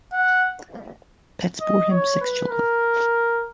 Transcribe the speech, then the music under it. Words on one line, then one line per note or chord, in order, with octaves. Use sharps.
Petz bore him six children.
F#5
D#5
C#5
B4
A#4